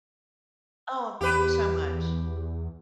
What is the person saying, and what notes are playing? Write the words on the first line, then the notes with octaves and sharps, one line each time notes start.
Oh, thank you so much.
E2 G4 B4